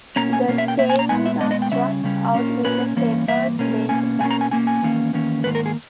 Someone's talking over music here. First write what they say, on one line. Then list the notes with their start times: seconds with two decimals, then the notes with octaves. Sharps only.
The stamens are thrust out with the sepals bent back.
0.16 B2 A#3 C#4 A#5
0.33 G#5
0.48 B2 A#3 C#4
0.58 E5
0.68 G5
0.79 B2 A#3 E5
0.90 G#5
0.99 A#5
1.09 A#2 G#3 B3 G#5
1.26 E5
1.41 A#2 G#3 B3 D#5
1.51 D#5
1.62 G5
1.72 C#3 G3 C#4 E5
2.04 C#3 G3 C#4
2.34 A#2 A#3 C#4
2.65 A#2 A#3 C#4 B4
2.96 G2 E3 A#3 C#4
3.28 G2 E3 A#3 E5
3.59 B2 A#3 C#4
3.89 B2 A#3 C#4 G#5
4.20 B2 G#5
4.23 A#3 C#4
4.31 A#5
4.41 G#5
4.51 B2 A#3 C#4 G#5
4.67 G#5
4.82 E2 D#3 A#3 C#4
5.13 E2 D#3 A#3 C#4
5.44 G#2 D#3 A#3 B4
5.55 A#4
5.66 G#4